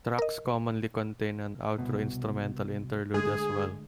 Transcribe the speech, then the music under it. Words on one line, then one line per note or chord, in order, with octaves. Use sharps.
Tracks commonly contain an outro instrumental interlude as well.
A#4 D#5
C2 F#2 B2
D3 G#3 A3 G#4